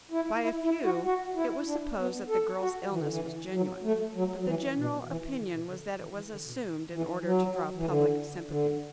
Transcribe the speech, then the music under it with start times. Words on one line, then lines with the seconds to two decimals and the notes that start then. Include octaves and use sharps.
By a few it was supposed that the girl's illness was genuine, but the general opinion was that it was assumed, in order to draw public sympathy.
0.11 E4
0.42 E4
0.64 E4
0.84 F#4
1.05 F#4
1.36 E4
1.66 D4
1.97 B3
2.29 A4
2.59 F#4
2.91 E3
2.99 D3
3.07 E3
3.53 F#3
3.83 A3
4.15 F#3
4.39 F#3
4.46 E3
4.76 B2
5.07 E3
5.38 D3
5.54 B2
5.69 D3
6.00 E3
6.15 E3
6.31 D3
6.47 B2
6.93 E3
7.24 F#3
7.75 E3
7.86 D3
8.48 D3